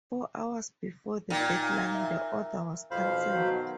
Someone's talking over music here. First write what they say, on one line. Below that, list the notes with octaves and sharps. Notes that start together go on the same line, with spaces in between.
Four hours before the deadline, the order was cancelled.
A#2 D#4 G5 G#6
E5
B1 F2 C5 F5 B5
B2 D#3 F#3